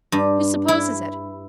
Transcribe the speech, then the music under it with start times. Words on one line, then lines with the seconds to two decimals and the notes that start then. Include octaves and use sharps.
Who supposes it?
0.12 G2
0.68 E4